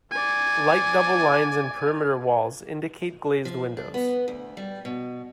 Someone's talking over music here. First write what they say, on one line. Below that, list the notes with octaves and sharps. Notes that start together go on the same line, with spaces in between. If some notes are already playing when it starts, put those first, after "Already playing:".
Light double lines in perimeter walls indicate glazed windows.
D5 G#5
F3
D4
B3
D2
G3
B2